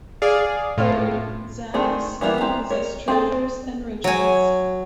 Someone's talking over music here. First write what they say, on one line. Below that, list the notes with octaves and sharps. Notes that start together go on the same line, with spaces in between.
Third, xanas who possess treasures and riches.
G#4 D5 F5
A2 F4
D#3 A3 C4 D4 G#4
E3 G3 A#3 B3 E4
C4 E4 A#5
A#4 C#5
C4 G#4 A4
F#3 G#5